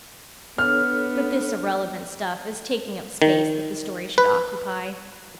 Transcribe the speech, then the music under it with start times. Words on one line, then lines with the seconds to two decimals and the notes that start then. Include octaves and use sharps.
But this irrelevant stuff is taking up space that the story should occupy.
0.58 B3 D4 A4 C#5 F6
3.22 D#3
4.18 B4